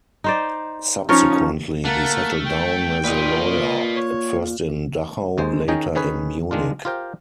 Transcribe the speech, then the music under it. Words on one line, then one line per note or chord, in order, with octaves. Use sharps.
Subsequently, he settled down as a lawyer, at first in Dachau, later in Munich.
D#4 C5 D5
F3 C#4 D#4 A#4 C#5
A3 A#3 A#4 F#5 A5
G5
A#2 B4 D#5 F5
C#5
D#2 G#3 C5
D#3 C#4 D#4 G#4 D#5 G5
D#3 C#4 G#4 B4
D#3 G#3 D4 F4
F4 G4 A#4 C5 G5